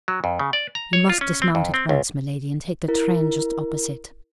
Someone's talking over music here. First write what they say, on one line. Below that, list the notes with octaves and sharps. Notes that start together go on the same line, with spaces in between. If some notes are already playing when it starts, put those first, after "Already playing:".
You must dismount at once, miladi, and take the train just opposite.'
F#3
F2
C#3
D5
A#5
C#5
F4
C#4
C4
F2
C4
C#2
E4 A#4